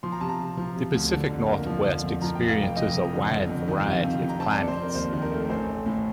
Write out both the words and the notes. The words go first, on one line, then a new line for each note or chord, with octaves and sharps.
The Pacific Northwest experiences a wide variety of climates.
F3 C6
A#5
C3 A5
A#5
C3
F3
C3
D2
D3
F2
A#3
F3
D3
F2
F3 A#5
G5
F1
F5
F1
G5
F2 D#5
F2
D3
F2
F2
D#3
C3 F5
F2
F2
A#5
C4 A5
C4 D5
C5
C4
A#4
D#2 C5
D#3
A#4
A3
A#4
A1 C5
A3
A2